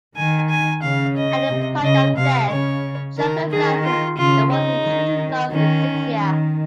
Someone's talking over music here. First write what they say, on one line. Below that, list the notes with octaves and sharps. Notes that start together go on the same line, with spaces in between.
At the point of death, Joker realises the one he truly loves is Zixia.
D#3 G#5
G#5
C#3 F5
D#5
C3
C#3 D#5
C3 F5
C#3 C#5
D#3 A#4
D#3 G#4
F4
C#3 F4
D#4
D#3
D#3 C#4
D#3